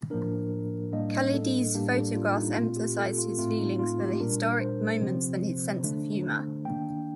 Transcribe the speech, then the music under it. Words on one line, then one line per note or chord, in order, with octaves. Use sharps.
Khaldei's photographs emphasised his feelings for the historic moments and his sense of humour.
A2 F3 A#3 D4 A#4
A2 G3 A#3 D4 D#5
A4
A2 G3 A#3 D4 G4
A4
F4
D#4
A#2 A3 C4 F4
G4
A4
F4
A2 A3 C4 F4
D#4
F4
G4
A#2 G3 D4 A#4
C5
C3 F3 C4
D3 A3 D4
D#3 A#3 D4 G5